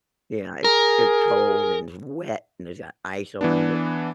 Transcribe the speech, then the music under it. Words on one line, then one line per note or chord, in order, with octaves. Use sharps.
Yeah, it's it's cold and wet, and there's got ice around it.
G#4 A#4
E3 B3 D4